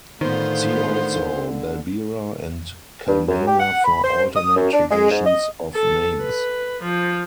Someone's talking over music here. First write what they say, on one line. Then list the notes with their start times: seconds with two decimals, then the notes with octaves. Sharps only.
See also: Balbira and Kalmana for alternate traditions of names.
0.21 A2 D3 D#3 B3 F4 C5
3.08 G2
3.27 F#2
3.47 G4
3.59 F#5
3.84 B5
4.03 C5
4.35 D#6
4.56 F#2
4.72 D4
4.90 G#3
5.11 G#2
5.26 D#5
5.75 A4
6.21 B4
6.83 F3